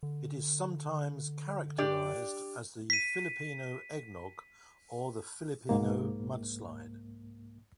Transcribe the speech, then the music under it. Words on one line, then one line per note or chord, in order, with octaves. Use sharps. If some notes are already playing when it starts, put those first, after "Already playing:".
It is sometimes characterized as the "Filipino eggnog" or the "Filipino mudslide".
D3
D4 G4 D5
B6 D#7
C2 G#2 A#3